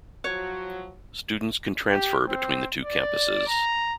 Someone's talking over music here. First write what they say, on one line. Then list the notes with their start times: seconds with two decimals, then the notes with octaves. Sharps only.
Students can transfer between the two campuses.
0.24 F3 F#3 F#4 C#5
1.91 G4
2.29 C4
2.83 D5
3.48 A#5